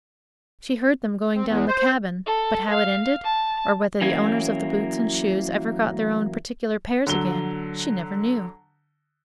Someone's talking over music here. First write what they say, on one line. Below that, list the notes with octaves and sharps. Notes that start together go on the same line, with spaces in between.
She heard them going down the cabin; but how it ended, or whether the owners of the boots and shoes ever got their own particular pairs again, she never knew.
C4
E2
C5
A4
F5
A5
E3 F#3 A#3 C#4 E4
D3 F#3 G7